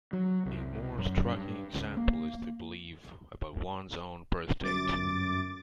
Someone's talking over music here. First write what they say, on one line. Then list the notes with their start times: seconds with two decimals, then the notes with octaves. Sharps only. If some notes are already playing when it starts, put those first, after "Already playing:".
A more striking example is the belief about one's own birthdate.
0.13 F#3
0.46 C2
0.98 F#2
1.32 G2
1.74 C#2
1.97 A#3
4.61 G1 F#2 D6 A6